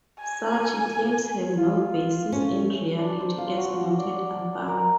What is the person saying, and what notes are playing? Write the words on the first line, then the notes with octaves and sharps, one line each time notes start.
Such claims have no basis in reality, as noted above.
G#5
F4
A3 C#4
D4
C5
F4
F#4
D5
A#4